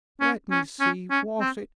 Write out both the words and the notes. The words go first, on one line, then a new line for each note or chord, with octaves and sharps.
Let me see--was it?
C#4
C#4
C#4
C#4
C4